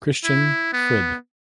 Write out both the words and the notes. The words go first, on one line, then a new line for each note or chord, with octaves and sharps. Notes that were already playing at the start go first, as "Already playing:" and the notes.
Christian Frid.
E4
B3